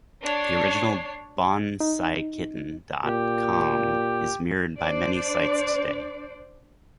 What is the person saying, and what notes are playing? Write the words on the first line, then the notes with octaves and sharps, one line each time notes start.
The original bonsaikitten dot com is mirrored by many sites today.
D4 C#5 C7
D#4
A#2 G4
D4 C5 D5